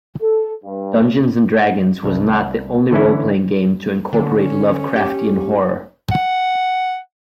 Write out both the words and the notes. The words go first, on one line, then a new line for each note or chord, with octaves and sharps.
"Dungeons and Dragons" was not the only role-playing game to incorporate Lovecraftian horror.
A4
G2
C2
D3 E3 C#4 E4
D3 C#4
G4
F#5